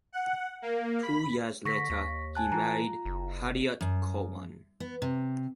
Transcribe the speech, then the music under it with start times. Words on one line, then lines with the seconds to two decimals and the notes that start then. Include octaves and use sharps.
Two years later he married Harriett Cowan.
0.12 F#5
0.62 A#3
1.03 B5
1.65 D3 C#6 A#6 B6
1.90 D#2
2.35 G#5 A5 F#6
2.52 E3 F4 A#5
3.05 F#1
3.81 F#2
4.80 B3
5.02 C3